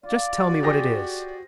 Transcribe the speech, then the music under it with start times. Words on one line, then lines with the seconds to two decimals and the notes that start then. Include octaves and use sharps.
"Just tell me what it is."
0.03 F4 D5
0.42 F#4
0.63 G4 G#4 C5 A#6